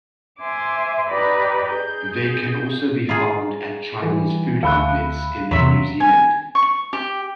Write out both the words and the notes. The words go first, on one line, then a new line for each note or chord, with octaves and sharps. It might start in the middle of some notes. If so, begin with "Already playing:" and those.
They can also be found at Chinese food outlets in New Zealand.
C5 E5 G#5 C6 D6
D#4 G4 B4 D5 B5
G#4 G6
F4 G#4 A#5
E3 G3
D2 E5 F5 B5 E6 F#6
E2 C3 F#3 E5 C6
G#5
C#6
G4